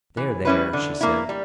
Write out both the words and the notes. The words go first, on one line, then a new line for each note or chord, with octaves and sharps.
"There, there," she said.
E3
G3 C#4 E4 B4
D3
A#3 E4
G3